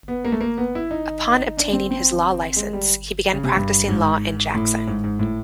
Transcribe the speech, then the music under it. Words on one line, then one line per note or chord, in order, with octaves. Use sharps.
Upon obtaining his law license, he began practicing law in Jackson.
B3
A#3
A3
A#3
B3
E4
D#4
D4
C4
C4
G#3
G3
C#3
C3
G2
G#2
A2
G#2
G#2
A2